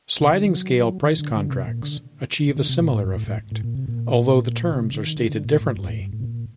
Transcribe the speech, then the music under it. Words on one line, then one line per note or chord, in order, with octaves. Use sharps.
Sliding-scale price contracts achieve a similar effect, although the terms are stated differently.
C3
D3
D#3
F#3
D#3
D3
D3
C3
A#2
D3
C3
D3
C3
A#2
A2
G2
A2
A2
A2
A#2
C3
A#2
D3
C3
D3
D#3
D3
D3
A#2
A2
G2
A2
G2
A2
C3
A#2